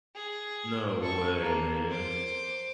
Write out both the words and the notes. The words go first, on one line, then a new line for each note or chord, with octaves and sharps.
No way, man.
G#4
A4 C#6
A#3
C5 D6